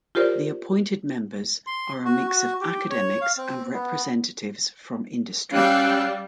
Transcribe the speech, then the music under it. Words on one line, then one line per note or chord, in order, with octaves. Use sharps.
The appointed members are a mix of academics and representatives from industry.
F4 G4 A#4 C5 D5
C6
F#4
F#4
G4
C#5
F5
C4
B3
G3 C#4 F5 G5 E6 F#6